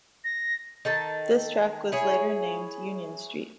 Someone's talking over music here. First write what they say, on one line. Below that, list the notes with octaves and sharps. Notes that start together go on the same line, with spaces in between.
This track was later named Union Street.
A#6
D#3 A4 A5
E4 G#4 C#5